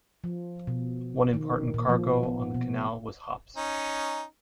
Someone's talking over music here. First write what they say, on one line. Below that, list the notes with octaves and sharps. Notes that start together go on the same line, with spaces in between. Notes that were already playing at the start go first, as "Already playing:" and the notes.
One important cargo on the canal was hops.
F3
B2
D#3
A#2
F3
B3
B2
C#4 D#4